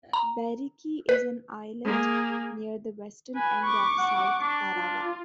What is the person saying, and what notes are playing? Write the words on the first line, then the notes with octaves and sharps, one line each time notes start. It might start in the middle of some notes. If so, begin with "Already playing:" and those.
Bairiki is an islet near the Western end of South Tarawa.
A#5
B4
A#3 G#4
B4 G#5
C#6 D6
F#5
D4
F4